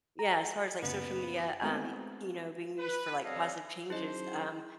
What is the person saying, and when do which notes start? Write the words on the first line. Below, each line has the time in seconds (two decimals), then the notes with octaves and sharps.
Yeah, as far as, like, social media, um, you know, being used for, like, positive changes, um,
0.19 A#5
0.82 F#2 A#2 C#3 B3
1.62 G#3 A3 B3 C4 F#4
2.79 B4
3.24 G3 C4 A4 C#5 D#5 F5
3.90 F#3 C#4 D#4 E4 G#4 C5 D#5